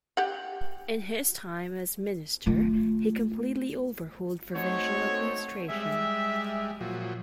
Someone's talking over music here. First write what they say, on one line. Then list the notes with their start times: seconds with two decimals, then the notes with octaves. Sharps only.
In his time as minister, he completely overhauled provincial administration.
0.17 G4 F#5
2.46 A3 F4
4.55 A3 C4 D#4 F#4 C#5
5.69 G3 G#3 E5
6.81 A#2 F3 F#3